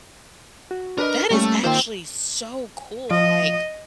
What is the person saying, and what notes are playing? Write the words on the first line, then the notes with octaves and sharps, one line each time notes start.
That is actually so cool, like,
F#4
D4 A#4 B4 D#5
G3 A3 A#3 C#4
D#3 A#3 F4 C5 G5
F3 D#5